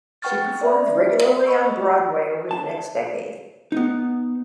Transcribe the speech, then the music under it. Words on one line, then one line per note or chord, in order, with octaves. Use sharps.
She performed regularly on Broadway over the next decade.
B4 F#5 G5 C#6 F6 A6
D5 E5
D#5 B5 C#6 E6
A5
B3 D#4